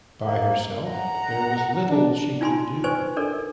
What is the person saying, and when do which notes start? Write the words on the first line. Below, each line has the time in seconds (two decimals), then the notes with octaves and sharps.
By herself, there was little she could do.
0.25 A#3
0.88 F#5 A#5
1.89 D4
2.41 D#4 F4 G#5 B5 C6
2.84 B4 C5 D5 G#5 C#6
3.16 D4 A4 A#4 D5